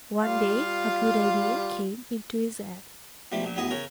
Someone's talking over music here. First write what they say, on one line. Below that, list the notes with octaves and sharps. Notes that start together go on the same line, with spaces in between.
One day a good idea came into his head.
G3 F4 F5
B1 F3 G3 A3
A#1 A#2
A1 F#2 B3 G#4 D#5
C#3 A#4 C#5 A#5